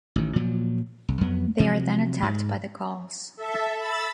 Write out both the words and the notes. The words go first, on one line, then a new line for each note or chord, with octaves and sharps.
They are then attacked by the Gauls.
A1 D#3
A#2 F3 F#3
C2
F2 F#3 B3
C3 F3 F#3
G#2
A4 E5
B5 E6 A6